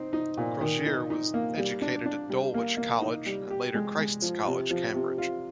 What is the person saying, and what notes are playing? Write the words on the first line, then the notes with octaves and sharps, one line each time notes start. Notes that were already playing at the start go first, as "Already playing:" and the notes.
Crozier was educated at Dulwich College, and later Christ's College, Cambridge.
Already playing: C4 D#4
D#4
A#2
D#3
D#4
D#4
A#3
G3
D4
D4
G3
A#3
A#3
D#4
G3
G4
G#3
G#3
F3
C3
F3
C3
F4